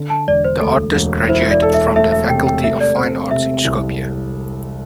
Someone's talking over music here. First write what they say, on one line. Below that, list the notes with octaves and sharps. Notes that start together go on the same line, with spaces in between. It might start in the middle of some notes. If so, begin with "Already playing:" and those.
The artist graduated from the Faculty of Fine Art in Skopje.
Already playing: D3
A5
E1 D5
C5
D2 A4
E1
E4 C5
D5
A4
E5
A3 E5
E5
C3 G5
G5
A3 E5
D5
C4 C5
C3 E5
C2